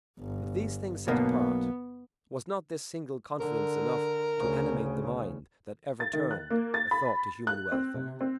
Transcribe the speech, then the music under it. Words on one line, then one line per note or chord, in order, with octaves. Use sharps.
But, these things set apart, Was not this single confidence enough To animate the mind that ever turned A thought to human welfare?
G1
B1 B2 A#3 B3
D3 A#4
D2 C#3
A6
D#3
F#6
A#3
A6
B5
F#6
C4
C3
C4